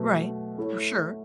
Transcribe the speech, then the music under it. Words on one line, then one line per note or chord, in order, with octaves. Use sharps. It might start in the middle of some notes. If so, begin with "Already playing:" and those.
Right, r sure.
Already playing: B2 F#3 A3 B4
A3 E4 A4 C#5